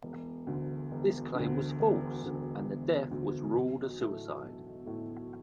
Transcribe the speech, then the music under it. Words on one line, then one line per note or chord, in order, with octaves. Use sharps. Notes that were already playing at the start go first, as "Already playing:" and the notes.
This claim was false, and the death was ruled a suicide.
E1
D2 D3
E1
D2 D3
E1
D2 D3
E1
D2 D3
B1
A2 A3 E4
B1
A2 A3 E4